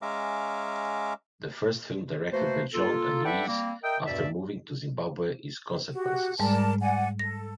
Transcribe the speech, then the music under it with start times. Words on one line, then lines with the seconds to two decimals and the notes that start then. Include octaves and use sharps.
The first film directed by John and Louise after moving to Zimbabwe is "Consequences".
0.02 G#3 C#4 E5 F5 A#5 D6
2.33 A3 A#3 F#4 B4 C5
2.74 A#3 F4 A4
3.24 A4 B4 D5 E5 F#5 G5
3.47 G3 A#3 C4
3.83 A#4 D#5 E5 G5
4.06 E2 G2 B2 D5 E5
5.92 F#4 G4
6.40 G#2 G3 G#3 A#4 D5 A5
6.81 D5 F#5 G#5
7.19 A4 A#6